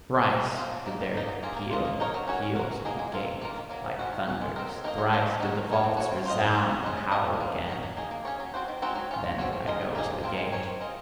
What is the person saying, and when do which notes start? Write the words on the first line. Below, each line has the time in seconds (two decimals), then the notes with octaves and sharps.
Thrice did there peal peals at the gate like thunders, thrice did the vaults resound and howl again: then did I go to the gate.
0.15 G#3
0.28 C4 D#4
0.42 A#3
0.57 F4 C5
0.72 F#3
0.86 A#3 D#4
1.00 D#3
1.14 A#3 D#4
1.28 F#3
1.43 A#3 F4 G#4
1.57 A#3
1.71 F4 G#4 D#5
1.85 A#3
2.00 D#4 A#4 C#5
2.14 F#3
2.28 C#4 F#4 C#5
2.42 C#4
2.56 F#4 A#4
2.71 F#3
2.85 A#3 D#4 G#4
2.99 G#3
3.13 C4 F4 A#4
3.27 D#3
3.41 A#3 F4 A#4
3.56 D#3
3.69 F#3 A#3
3.85 F3
3.99 G#3 C#4 F#4
4.12 D#3
4.27 F#3 C#4 F#4
4.41 G#3
4.56 C4 D#4 A#4
4.69 F#3
4.84 A#3 D#4 A#4 D#5
4.98 F#3
5.13 A#3 C#4 F4 C5
5.26 G#3
5.40 D#4 F#4 C#5
5.55 C4
5.69 D#4 A#4 C#5
5.84 C4
5.97 F#4 C#5
6.11 C4
6.25 F4 C5 D#5
6.40 C4
6.54 F4 G#4
6.69 F#3
6.83 C#4 G#4 C5 D#5
6.97 C#4
7.11 F#4 A#4 D#5
7.25 F3
7.40 A#3 F4
7.54 C#4
7.68 F#4 A#4 D#5
7.83 F#3
7.97 A#3 D#4 G#4
8.11 A#3
8.25 C#4 G#4 C#5
8.40 F#3
8.54 C4 F#4 C5
8.68 D#3
8.82 G#3 C4 D#4 F#4
8.95 F#3
9.11 C#4 F4
9.24 G#3
9.38 C4 F#4 C#5
9.53 F3
9.67 G#3 D#4 A#4 D#5
9.81 D#3
9.95 A#3 D#4 G#4
10.10 F3
10.24 C4 F4 A#4
10.38 G#3
10.52 C4 D#4 G#4 C#5
10.67 C4
10.81 F4 G#4 D#5